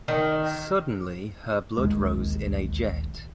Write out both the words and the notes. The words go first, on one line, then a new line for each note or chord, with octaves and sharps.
Suddenly her blood rose in a jet.
D#3
D1 A#1 D#2 G#3